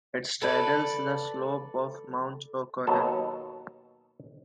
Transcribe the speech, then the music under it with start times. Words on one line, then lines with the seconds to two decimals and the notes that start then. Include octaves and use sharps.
It straddles the slopes of Mount O'Connell.
0.42 A4 B4 D5
2.87 D#2 B2 F#3 A4 A5